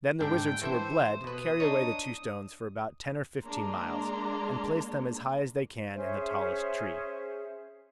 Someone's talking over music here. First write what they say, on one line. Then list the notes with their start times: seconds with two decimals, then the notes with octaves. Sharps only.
Then the wizards who were bled carry away the two stones for about ten or fifteen miles, and place them as high as they can in the tallest tree.
0.20 G#2 D3 D4 G5
0.62 E3 A4 C5 E5
1.24 B2 B4 D#6
1.60 D4 D#4 C#5
3.44 G#3 A#3 D4 G#4 A#5 C6
5.94 C#4 G#4 C5 E5